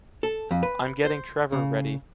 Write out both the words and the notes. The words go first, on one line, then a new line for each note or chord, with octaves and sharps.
I’m getting Trevor ready!
A4
F2
B4
C5
C#3